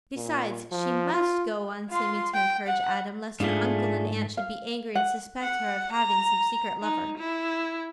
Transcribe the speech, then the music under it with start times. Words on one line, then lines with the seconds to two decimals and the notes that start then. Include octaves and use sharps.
Besides, she MUST go on seeming to encourage Adam, lest her uncle and aunt should be angry and suspect her of having some secret lover.
0.16 A#2
0.72 F3
1.14 F4
1.90 F4 C6
2.34 G5
2.67 F#5
3.40 G#2 A3 D4 F4 G#4
4.37 F5
4.95 F#5
5.42 F#5
5.93 A#5
6.82 D#4
7.18 E4